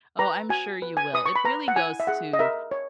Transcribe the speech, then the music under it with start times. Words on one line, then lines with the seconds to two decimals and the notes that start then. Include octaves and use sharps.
Oh, I'm sure you will. It really goes to,
0.19 B4 A#5
0.49 F#4 G#5
0.82 B4
0.97 G#5
1.14 B4 D#6
1.26 C#6
1.36 B5
1.45 B4 A#5
1.68 F#5
1.76 E4 G#5
2.00 E5
2.07 G#4 F#5
2.33 D#5
2.39 A#4 E5
2.71 C#5